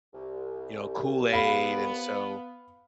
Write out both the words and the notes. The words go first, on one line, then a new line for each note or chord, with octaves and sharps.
you know, Kool-Aid, and so,
C2
B3 F5 B5